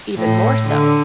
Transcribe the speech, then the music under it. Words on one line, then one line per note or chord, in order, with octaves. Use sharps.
Even more so.
A2
D3